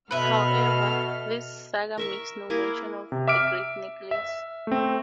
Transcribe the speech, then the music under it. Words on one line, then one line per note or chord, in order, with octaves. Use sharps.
However, this saga makes no mention of the great necklace.
B2 A4 B4 E5 F6
A#4 E5 C#6
A#3 E4 G#4 A#4
C3
E5 D6 F6 D7
E5
A3 C4